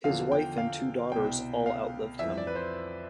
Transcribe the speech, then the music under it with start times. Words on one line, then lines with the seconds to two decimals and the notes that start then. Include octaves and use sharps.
His wife and two daughters all outlived him.
0.04 E2 D3 F3 F5
0.32 G5
0.58 F5
1.12 C2 B2 G5
1.66 F5
2.19 F2 E3 E5
2.38 D5
2.47 B4
2.55 C5